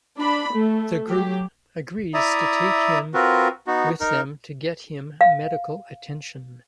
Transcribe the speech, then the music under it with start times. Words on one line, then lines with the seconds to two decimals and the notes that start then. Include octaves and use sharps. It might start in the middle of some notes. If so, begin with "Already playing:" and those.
The group agrees to take him with them to get him medical attention.
0.17 D4 B5
0.53 A3
1.07 F#3 G4
2.14 E4 D5 E5 A#5 D#6
3.14 C4 F4 F#4 A#4 B4
3.67 B3 D#4 F#4
4.00 D#4 A#4
5.21 F5